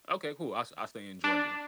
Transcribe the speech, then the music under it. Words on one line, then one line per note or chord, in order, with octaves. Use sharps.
okay, cool I I stay in Georgia.
D4